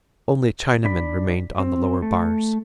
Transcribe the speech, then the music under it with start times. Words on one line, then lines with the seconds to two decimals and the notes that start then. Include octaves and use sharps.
Only Chinamen remained on the lower bars.
0.85 D4 B5
1.59 C4
2.02 A3